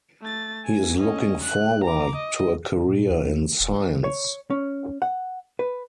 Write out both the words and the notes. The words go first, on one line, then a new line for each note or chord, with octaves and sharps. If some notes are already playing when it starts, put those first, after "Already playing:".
He is looking forward to a career in science.
A3 A6
G#5
C#4 D#5
F#6
A#5 D6
D#5
A#2
D#2
E1
C#5
C#4
F#5
B4